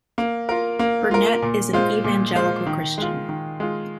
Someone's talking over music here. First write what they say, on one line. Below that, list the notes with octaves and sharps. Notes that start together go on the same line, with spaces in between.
Burnett is an Evangelical Christian.
A#3
F4 A#4
A#3
F4 A#4
A#2
G#3 F4 C5
A#2
G#3 F4 C5
D#3
G#3 F4
D#3
G#3 F4